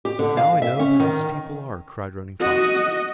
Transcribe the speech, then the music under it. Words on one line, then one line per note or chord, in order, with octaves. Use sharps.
"Now I know who these people are," cried Running Fox.
G4
D3
F5
E5
C#4
D#3
F#4 D#5